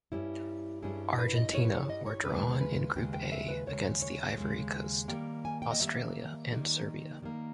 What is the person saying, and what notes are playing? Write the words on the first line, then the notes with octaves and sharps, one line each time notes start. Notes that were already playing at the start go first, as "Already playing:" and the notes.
Argentina were drawn in Group A against the Ivory Coast, Australia and Serbia.
G2 G3 C#4 E4
G2 G3 C#4 E4 G#4
B4
D#5
G2 G3 C#4 E4 C#5
B4
C#5
D#5
C#5
D#2 C#3 G#3 B4
B4
D#2 C#3 G#3 G5
G5
E5
B4
D#2 C#3 G#3 C#5
C#5
D#2 C#3 G#3
D#3 G3 A#3 G5
G#5
G5
D#5
D#3 G3 A#3 E5
D#3 G3 A#3
D#3 G3 A#3